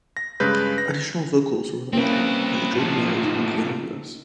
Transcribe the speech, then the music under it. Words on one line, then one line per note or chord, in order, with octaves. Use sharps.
Additional vocals were provided by The Jordanaires and The Amigos.
A#6
G2 C#3 G#3 B4 G6
A#6
A#3 C4 C#4 E4 B4
A2 F3
D#4